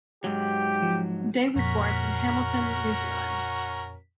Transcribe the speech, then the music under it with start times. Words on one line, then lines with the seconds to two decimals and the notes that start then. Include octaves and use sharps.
Day was born in Hamilton, New Zealand.
0.24 G#2 F#3 G4
0.82 F3
1.56 F2 A#2 C#4 F#4 A#4 B6